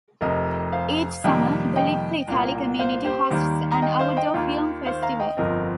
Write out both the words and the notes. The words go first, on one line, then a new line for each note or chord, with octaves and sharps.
Each summer, the Little Italy community hosts an outdoor film festival.
F1 F2 C3 A#4 D#5
C5 F5
F2 C3 D#3 G3 A#3 D#5 G5
D#5 G5
C2 A#2 A#3
C5 F5
G4 C5
D#2 D#3 G3 A#3
A#5
D#5 G5
C5 F5
D#5 G5
D#4
D#2 D#3 A#3 F4
C5 F5
F5 A#5
D#5 G5
G1 F2 F3 C4 A#4 D#5